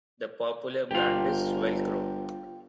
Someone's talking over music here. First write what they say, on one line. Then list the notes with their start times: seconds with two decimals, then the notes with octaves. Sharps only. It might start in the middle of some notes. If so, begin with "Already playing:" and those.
The popular brand is Velcro.
0.91 G1 F4 G4